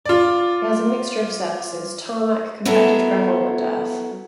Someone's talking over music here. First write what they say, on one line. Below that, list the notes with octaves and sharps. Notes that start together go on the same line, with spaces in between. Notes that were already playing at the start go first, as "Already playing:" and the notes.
It has a mixture of surfaces; tarmac, compacted gravel, and earth.
F4 D5
F#3 B3 E4 A4 A#4